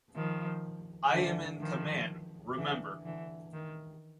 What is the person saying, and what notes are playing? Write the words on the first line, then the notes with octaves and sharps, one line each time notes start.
I am in command, remember.
D#3 F3
D3 E3
D#3 F3
D3 E3
D3 E3
D#3